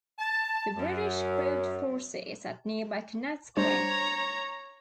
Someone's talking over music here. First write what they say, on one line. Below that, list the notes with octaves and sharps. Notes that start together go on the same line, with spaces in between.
The British grouped forces at nearby Kennett Square.
A5
F#2
G3 D4 C5 C#5 A#5